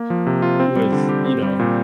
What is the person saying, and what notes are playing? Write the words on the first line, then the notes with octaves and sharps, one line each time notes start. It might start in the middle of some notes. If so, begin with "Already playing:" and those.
with, you know
Already playing: A#3
F3
C3
F4
C4
G3
D3
G4
C4
G3
A#2